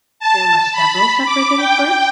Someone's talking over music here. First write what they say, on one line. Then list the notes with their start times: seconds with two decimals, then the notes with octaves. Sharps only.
There were several Separated at Birth?
0.20 A5
0.72 B5
1.25 D6
1.57 G5